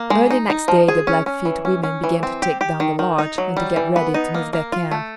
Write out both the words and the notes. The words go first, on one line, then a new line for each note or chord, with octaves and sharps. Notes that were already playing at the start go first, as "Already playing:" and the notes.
Early next day the Blackfeet women began to take down the lodge and to get ready to move their camp.
Already playing: A#3
G#3
D#4
D#4
F3
G#4
C#4
C#4
E3
C#4
C#4
E3
C4
G4
G4
D#3
D#3
D#4
F#3
G3
E3
B3
D#4
A#3
A#3
F4
A3